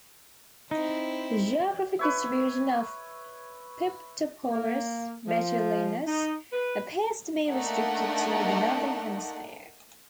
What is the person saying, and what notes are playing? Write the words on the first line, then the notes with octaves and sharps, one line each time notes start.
The geographic distribution of "Piptoporus betulinus" appears to be restricted to the Northern Hemisphere.
C4 D#4 E4
B4 C#5 E5
A#3
F3
D#4
B4
A3 A#3 D4 D#4 F#5